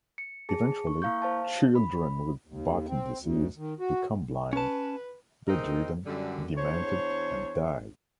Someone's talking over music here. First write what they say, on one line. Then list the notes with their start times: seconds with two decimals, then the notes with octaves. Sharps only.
Eventually, children with Batten disease become blind, bedridden, demented, and die.
0.18 C#7
0.49 G#4 A5 C#7
0.87 C#6
1.02 A#3 E4 F5 C#6 G6
1.22 C5 F5 A5
1.75 B5
2.47 D#2
2.89 C4
3.20 D2
3.57 D#3
3.80 F#4
4.53 C#4 B4 A5
5.48 D#2 G#3 C4 D#4 A#4 D#5
6.05 F#2 D3 G3
6.57 E2 D4 C5 C#5